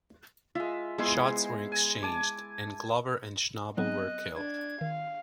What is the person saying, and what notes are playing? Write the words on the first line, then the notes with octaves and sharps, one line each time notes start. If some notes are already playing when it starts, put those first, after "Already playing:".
Shots were exchanged, and Glover and Schnabel were killed.
G#3 F4 E5
G#3 B3 E4 G#4 C5 C6
G#5
G#5 A5 D6
F#3 B3 C4 D#5 F#6
D4 G#6
D#3 F5